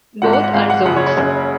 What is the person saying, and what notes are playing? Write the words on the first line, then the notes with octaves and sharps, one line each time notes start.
Both are zones.
G#1 G#2 F3 F#5
F#5
F#5
G#1 G#2 F3 F5
F#5
F#1 F#2 C#3 F#5
C#5
C#5
F#1 F#2 C#3